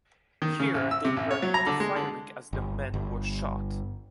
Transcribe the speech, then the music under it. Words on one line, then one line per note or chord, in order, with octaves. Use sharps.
Here, they heard the firing as their men were shot.
D#3
C#3
A1
E6
C3
A1
C#5
F#3
A#5
D3
G#3
D3
G1
G1